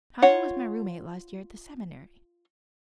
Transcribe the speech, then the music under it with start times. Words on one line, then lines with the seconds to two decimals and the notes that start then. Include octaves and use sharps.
Connie was my roommate last year at the Seminary.
0.22 F4 C#5 F#5